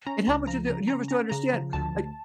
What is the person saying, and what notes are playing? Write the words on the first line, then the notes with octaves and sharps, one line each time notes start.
and how much of the universe do you understand, like
C#4 A#5
C#2 A#5
F3 A#5
C#3 A#5
C#4 A#5
C#4 A#5
C#3 A#5
F3
D2 A5
D2